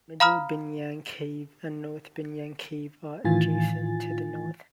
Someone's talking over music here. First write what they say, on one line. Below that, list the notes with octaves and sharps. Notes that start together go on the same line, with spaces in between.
Middle Binyang Cave and North Binyang Cave are adjacent to the north.
F5 A#5 B5 D#6 F6
A2 D#3 E3 F4 G#5 A6